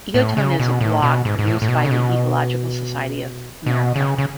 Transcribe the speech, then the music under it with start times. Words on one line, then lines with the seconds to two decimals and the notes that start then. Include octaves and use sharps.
EcoTone is a blog produced by the Ecological Society of America.
0.14 A2
0.37 C#3
0.60 B2
0.81 A2
1.02 B2
1.25 G#2
1.39 G#2
1.47 A2
1.62 A2
1.68 B2
1.85 C#3
1.91 B2
3.66 B2
3.96 C#3
4.18 C#3